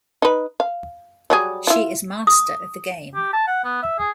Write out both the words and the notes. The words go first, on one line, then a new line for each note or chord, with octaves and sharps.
She is master of the game.
D#4 B4
F5
F#3 G3 G#4
E4 F4
D#6
G4
A5
F#5
B3
E5
G#4